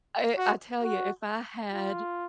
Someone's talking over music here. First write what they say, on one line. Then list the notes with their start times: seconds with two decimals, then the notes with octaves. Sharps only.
I I tell ya, if I had
0.38 F#4
0.83 F#4
1.74 F4